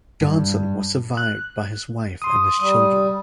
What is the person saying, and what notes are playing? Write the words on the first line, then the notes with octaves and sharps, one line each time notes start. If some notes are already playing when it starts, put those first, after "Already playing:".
Johnson was survived by his wife and his children.
G2
F#6
C6 D#6
G3 D#6